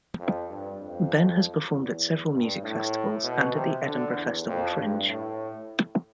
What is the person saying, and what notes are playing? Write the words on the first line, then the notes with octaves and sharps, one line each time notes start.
Benn has performed at several music festivals, and at the Edinburgh Festival Fringe.
F2
G2
F2
E2
G2
A2
B2
C3
D3
E2
F2
G2
A2